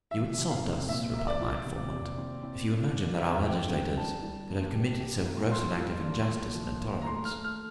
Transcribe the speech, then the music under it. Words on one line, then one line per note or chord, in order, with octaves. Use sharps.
"You insult us," replied my informant, "if you imagine that our legislators could have committed so gross an act of injustice and intolerance."
E3 E5
C3
F5
C3
A#2 E5
A#3 E5
D5
F4
C3
C3
C4
C4
G2
C4
C4 E5
C4 G5
G3 G5
D4 A5
G3
A#3
G4
G4
A#3
G3 C6
F4
D4
A#2
F3
A#3
A#5
A3 C6
F6
A3
F6